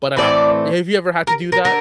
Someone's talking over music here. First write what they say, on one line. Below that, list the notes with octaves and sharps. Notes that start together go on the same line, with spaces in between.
but I'm out." Have you ever had to do that?
A2 E3 A3 C4 D5
A#4
A#4
D3 A#4